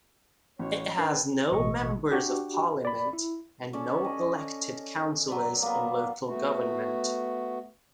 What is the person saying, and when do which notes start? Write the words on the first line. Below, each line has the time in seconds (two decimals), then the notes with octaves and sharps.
It has no members of parliament and no elected councillors in local government.
0.59 A1 C#4 F#4 C#5
0.98 D4 A#4 B4 G5 A5 G#6 C7
1.52 A1 B2 D#5 C#6
2.12 D4 F#4 G4
2.85 D5 B5
3.13 E4
3.73 C#4 A4 D5
4.05 D#5
5.28 F#3 B4 D5
5.62 A#3 B3
6.26 A3 B3 F#4